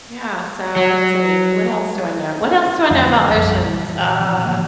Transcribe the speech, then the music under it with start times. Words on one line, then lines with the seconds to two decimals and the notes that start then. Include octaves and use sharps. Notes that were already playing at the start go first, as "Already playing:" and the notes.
Yeah. So, let's see, what else do I know? What else do I know about oceans? Uh,
0.76 F#3
2.91 F2 D3 F#3 A3
3.31 B1 F#2 F3 G3
3.63 A#2 E3
4.19 C3 E3 F3 C4
4.45 A2 D3 F3 A#3